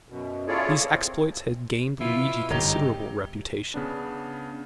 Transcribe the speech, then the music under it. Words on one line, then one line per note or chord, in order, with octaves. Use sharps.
These exploits had gained Luigi considerable reputation.
F#2 B2
E4 F4 G#4 A4 C#5 D5
A#2 C4
B2 E4 F4
G1 F#2 D#4 G4 C#5 D#5 A#5
C#3 B3 D4